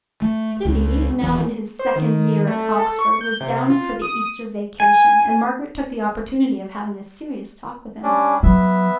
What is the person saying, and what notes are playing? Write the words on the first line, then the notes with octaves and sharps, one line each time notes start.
Tibby, now in his second year at Oxford, was down for the Easter vacation, and Margaret took the opportunity of having a serious talk with him.
A3
C#2
D#1 D#2 E3 B3
C5
D#3
A3
A4
C#6
G6
C3
F4
D#6
G#5
G3 C#4 D4
F#3 B3 E5